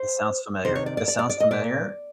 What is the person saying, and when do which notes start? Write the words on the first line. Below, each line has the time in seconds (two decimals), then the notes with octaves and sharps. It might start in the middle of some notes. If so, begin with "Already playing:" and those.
This sounds familiar. This sounds familiar,
Already playing: C5
0.65 C3 D#3 C5
0.75 C#5
0.86 D5
0.97 D5
1.08 D5
1.19 D5
1.29 D5
1.40 D#5
1.51 A#2 D5